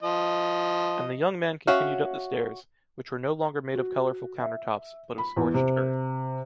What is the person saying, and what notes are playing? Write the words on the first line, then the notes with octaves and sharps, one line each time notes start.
And the young man continued up the stairs, which were no longer made of colorful countertops, but of scorched earth.
F3 D#5
C#4 F#4 E5 F5
F#4
E5
B5
E2
C3